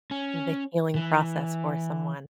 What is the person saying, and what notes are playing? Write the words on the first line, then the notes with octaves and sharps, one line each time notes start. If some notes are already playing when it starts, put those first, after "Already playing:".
the healing process for someone.
C#4
E3